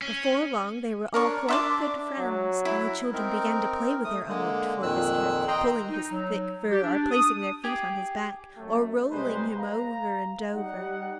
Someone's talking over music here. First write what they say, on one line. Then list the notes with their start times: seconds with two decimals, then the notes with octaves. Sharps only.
Before long they were all quite good friends, and the children began to play with their unlooked for visitor, pulling his thick fur, or placing their feet on his back, or rolling him over and over.
0.02 C#4
1.14 D4 A#4 C#5 C#6
1.48 D4 E5 C6 D6
2.18 F#3
2.65 E4
3.13 C4 D#4 A#4
4.04 A3 D#6
4.29 D3 G#3 A#3
4.83 F2 A#2 D#3 E6 F#6
5.48 D#5 G5 A#5 C6
5.89 D#4
6.12 F#3
6.71 G4
6.83 D4
7.11 D#6
7.63 G4 G#4 G5 D6
8.58 F#2 A3
9.12 C3 G3 G#3 D#4 B4 C5
9.58 F5 A#5
10.54 G3 D#4 F#5